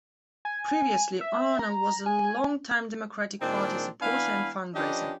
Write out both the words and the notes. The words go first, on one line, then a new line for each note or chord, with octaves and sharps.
Previously, Arnall was a long-time Democratic Party supporter and fundraiser.
G#5
E5
A#5
G#5
A#2 D#3 G#3 C4 D4 G5
E3 B3 D4 F5 G#5 B5
F3 C#4 D4 G4 B4 D#5